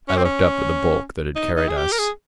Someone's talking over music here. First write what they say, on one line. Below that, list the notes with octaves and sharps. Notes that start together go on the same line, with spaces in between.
I looked up at the bulk that had carried us.
C#4
C4
C#4
D#4
D#4
G#4
G4
A#4
G#4